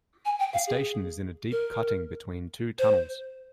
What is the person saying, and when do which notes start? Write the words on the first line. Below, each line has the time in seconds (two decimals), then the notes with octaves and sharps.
The station is in a deep cutting between two tunnels.
0.25 G#5
0.39 G5
0.53 F5
0.67 G#4
1.52 A#4
2.79 C5